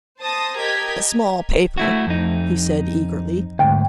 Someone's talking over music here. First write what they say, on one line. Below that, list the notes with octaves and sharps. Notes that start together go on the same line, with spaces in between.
"A small paper," he said eagerly.
C5 A5 D#6 A#6
G4 A#4 D#5 A#5 G#6 B6
A3 E4 F#4
F2 D#4
D2 G#2 G5